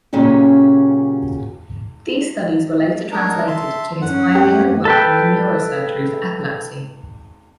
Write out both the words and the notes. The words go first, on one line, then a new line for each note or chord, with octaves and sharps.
These studies were later translated to his pioneering work in the neurosurgery for epilepsy.
A#2 C#3 F#3 C#4 G4
D4 D#4 A#4
E5 A5 C6
F#2 C#4 F#5
G4
A4 B4 G5